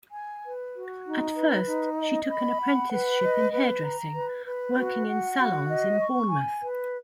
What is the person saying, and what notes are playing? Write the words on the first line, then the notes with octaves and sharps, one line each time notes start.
At first she took an Apprenticeship in Hairdressing, working in salons in Bournemouth.
G#5
B4
F#4
D#4
B4
D#4
D#5
B5
F#5
B4
D#5
B4
A#5
B4
B4
F#4
F#5
F#4
D#5
C#6
G#5
B4